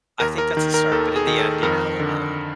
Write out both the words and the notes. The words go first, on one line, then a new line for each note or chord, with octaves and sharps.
I think that's a start, but in the end, you know, um,
D#2 A#4
A#4
D#3
A#4
D#2 A4
G#4
D#3
A4
F2 A#4
D3